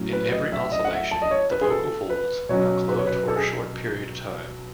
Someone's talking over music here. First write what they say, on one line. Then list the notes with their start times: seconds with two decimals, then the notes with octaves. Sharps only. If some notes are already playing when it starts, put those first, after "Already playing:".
In every oscillation, the vocal folds are closed for a short period of time.
Already playing: A2 F#3 C#4
0.13 B4
0.32 D#5
0.52 E5
0.72 D#5
0.85 F#5
0.91 E5
1.11 A5
1.22 D#5
1.31 C#5
1.51 B4
1.61 G#4
1.70 A4
2.10 B4
2.49 B2 F#3 C#4 C#5
2.88 B4
2.98 C#5
3.07 B4
3.28 A4
3.36 G#4